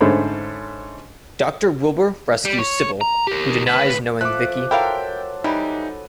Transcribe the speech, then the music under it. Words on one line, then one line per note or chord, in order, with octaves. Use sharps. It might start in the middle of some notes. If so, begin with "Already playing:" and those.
Doctor Wilbur rescues Sybil, who denies knowing Vickie.
G#2 D3 A3 C#4 C5 B5
G3
C#5
A#5
G4 A#4
D2 B4
F3 A3 A5 D6 F#6
F#3 E4 A4 A#4 F5 G5 C6
E3 G3 D#4 B4